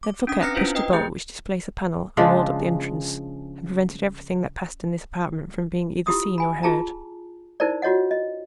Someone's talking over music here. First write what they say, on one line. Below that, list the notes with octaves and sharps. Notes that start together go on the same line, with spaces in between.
Then Fouquet pushed a bolt which displaced a panel that walled up the entrance, and prevented everything that passed in this apartment from being either seen or heard.
D6
C#4 D4 D#6
C4 B4 A#5 F6 A#6 C#7
C#4 D4 E4 F4 B4 C5
B4 D#5 G5 D#6
A3 G4 G#4 G6
C#3 F3 G#3 D4
E4 F4 G4 C6 D#6 E6
G#5 B5
F4 G#4 A5 A#5
D#4 E4 A#4 C5 D5
F4 F#4 C#5 D#5 F#5
D#5